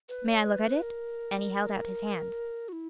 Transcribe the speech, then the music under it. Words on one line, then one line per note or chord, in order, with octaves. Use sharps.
"May I look at it?" And he held out his hand.
B4
C#5
B4
A#4
F#4
E4